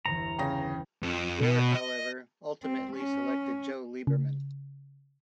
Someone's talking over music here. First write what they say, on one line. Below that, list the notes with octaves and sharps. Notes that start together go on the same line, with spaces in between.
Gore, however, ultimately selected Joe Lieberman.
G1 E2 E3 A#5 C#7
C#3 C#4 G5 A#6
F2
B2
D#5
C4
C#4
C#3